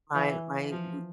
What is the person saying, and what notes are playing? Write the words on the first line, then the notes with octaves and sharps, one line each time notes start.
my my we
E3
F3